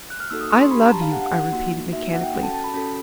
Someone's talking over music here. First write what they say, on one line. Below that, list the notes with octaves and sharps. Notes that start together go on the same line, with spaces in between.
"I love you," I repeated mechanically.
F#6
F6
A#3 D#4 F#4 A4 E6
D#6
C#6
C6
D4 G4 B5
A#5
A5
F5
D4 G4 F#5
F#5
F#5
A#3 D#4 F#4
A#3 D#4 F#4 E5
F#5
G5
C#4 F#4 A4
A5
A5
B5
C#4 F#4 A4